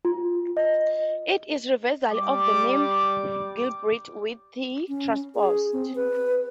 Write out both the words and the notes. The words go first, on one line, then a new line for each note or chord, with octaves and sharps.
It is a reversal of the name "Gilbreth", with 'th' transposed.
F4
D#5
G3 D6
C#4
G#4
C4
B4